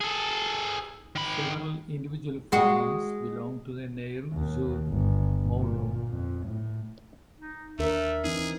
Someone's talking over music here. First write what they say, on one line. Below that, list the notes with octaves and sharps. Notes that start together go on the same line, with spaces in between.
Several individual farms belong to the Neyruz-sur-Moudon.
G#4 A4
D#3 B5
G#3 F#4
D#2
G1
A#2
F2
A2
D#4
D#2 A3 D4 A#4 E5
E3 C4 D#4 G#4